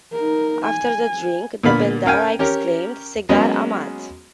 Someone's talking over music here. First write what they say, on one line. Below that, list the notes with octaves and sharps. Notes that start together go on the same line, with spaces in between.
After the drink, the Bendahara exclaimed, Segar amat!
D#4 A#4
G#5
A#2 D3 B3 F5 B5
C#4 A#4 F5 G5 G#5
C#4 G4 A#4 C#5
F#3 G#3 A#3 B3 C#4 G#4